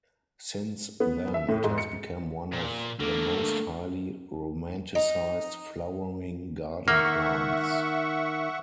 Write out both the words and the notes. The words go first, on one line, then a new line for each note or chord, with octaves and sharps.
Since then, it has become one of the most highly romanticized flowering garden plants.
B3
E5
A2
G#2
C#7
A#2
D3 A3 A#3
D#4
D#3 A#3 E5 F#5 C#6 F6